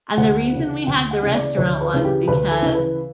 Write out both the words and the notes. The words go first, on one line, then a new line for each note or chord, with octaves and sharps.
and the reason we had the restaurant was because
D2 F#5
C#3 E3
D2 G5
F#5
C#3 E3
D5
D2 C#5
B4
C#3 E3
G4
D2 B4
A4
C#3 E3
B4